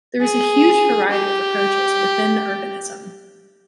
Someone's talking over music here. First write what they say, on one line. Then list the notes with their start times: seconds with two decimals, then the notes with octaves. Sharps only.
There is a huge variety of approaches within urbanism.
0.21 G#4
1.11 G4